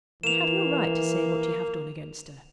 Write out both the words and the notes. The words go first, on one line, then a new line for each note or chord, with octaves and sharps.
You have no right to say what you have done against her.'
E3 A#3 E7 F7